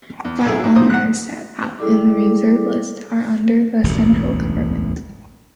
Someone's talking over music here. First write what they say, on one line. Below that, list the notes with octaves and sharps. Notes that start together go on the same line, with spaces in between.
While all matters set out in the Reserved List are under the central government.
E2
B1 A2 G#4
G#2 F#3
B1 D#4 C5 D#6
F#5 F#6
G3 E4 G#4 A4 D5 D6
E1 A1 D2 G2